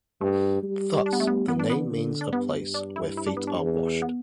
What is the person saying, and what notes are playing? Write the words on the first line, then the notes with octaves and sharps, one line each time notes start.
Thus the name means A place where feet are washed.
G2 A3
G3
D4
B3
A3
B3
E3 B3
D4
B3
D3
D4
G2 B3
D4
E4
E4
D4
B3
D4
E2
B3